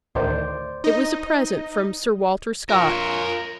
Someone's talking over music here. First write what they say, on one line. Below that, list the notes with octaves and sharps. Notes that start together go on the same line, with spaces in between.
It was a present from Sir Walter Scott.
D2 A2 D#3 C5 D5 D6
D#4 D#5
F4 A#4 C#5